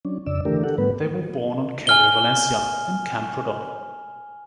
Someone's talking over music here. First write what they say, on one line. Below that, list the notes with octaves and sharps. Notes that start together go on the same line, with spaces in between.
They were born on Carrer València, in Camprodon.
F#3 C#4 D4
F2 C#3 D5 E6
D3 E3 A3 D4 G4 A#4
G4 A4 F#5
G#2 G3 A3 B3 B4
G#5 F6 G7